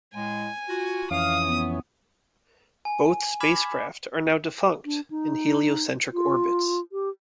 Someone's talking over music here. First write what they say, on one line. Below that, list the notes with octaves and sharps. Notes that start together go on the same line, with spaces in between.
Both spacecraft are now defunct in heliocentric orbits.
A2 G#3 G#5
F4 F#4
F2 E3 C#4 F5 D#6
B3
G#5
B5 D6 F6 G#6 B6 E7
D4
D#4
F4
G4